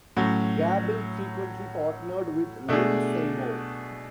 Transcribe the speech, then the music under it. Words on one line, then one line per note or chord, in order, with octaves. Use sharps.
Gable frequently partnered with Lynn Seymour.
A2 F#3 C#4
B2 A3 D4 G#4